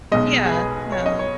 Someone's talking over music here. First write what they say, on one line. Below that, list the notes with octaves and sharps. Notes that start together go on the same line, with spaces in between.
Yeah, yeah.
B1 B2 G#3 D#5
G#4
B4
C#5
D#5
C#5